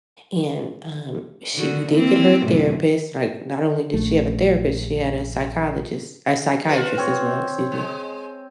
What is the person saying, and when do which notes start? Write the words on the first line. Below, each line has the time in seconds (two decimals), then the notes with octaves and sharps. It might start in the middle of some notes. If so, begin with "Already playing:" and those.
and, um, she we did get her a therapist, like, not only did she have a therapist, she had a psychologist a psychiatrist as well, excuse me.
1.55 D3 D#3 F#4
1.91 A#3 C4 E4
2.46 F#2 A2 C3
3.94 A#1 A3
6.68 F4 F#4 B4
6.97 C4 C#5
7.72 G#3